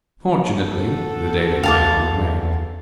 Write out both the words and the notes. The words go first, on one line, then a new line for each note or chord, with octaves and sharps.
Fortunately "The Daily Mail" remained.
F#4 A4
E2 F5 A5 D6